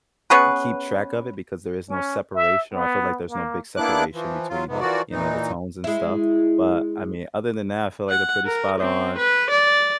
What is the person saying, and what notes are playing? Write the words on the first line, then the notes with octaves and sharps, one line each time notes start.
k keep track of it, because there is no separation, or I feel like there's no big separation between, you know, the tones and stuff, but, I mean, other than that, I feel like they're pretty spot on.
B3 C#4 G#4 B4
C#4
E5
B3
A#3
A#3 B3 D4 E4 D6 F#6
E3 F3
F#3 F4
F2 G#2 C3 B3
E3 F3 A#3 F#4 D5
A#2 E3 D#4
G#3 E4
F#5
A#4
C4
B4
D5